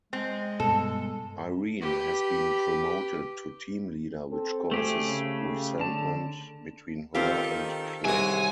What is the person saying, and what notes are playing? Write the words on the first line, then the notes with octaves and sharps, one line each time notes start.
Irene has been promoted to team leader which causes resentment between her and Clare.
G#3 C4
G2 B2 A4
G4 B4
C4 A4
D2 A3 C4 G4 G#4
C#3
D3 A5
D#3 C4 F4 G4 A4
C2 D#3 F#3 G#3 G#5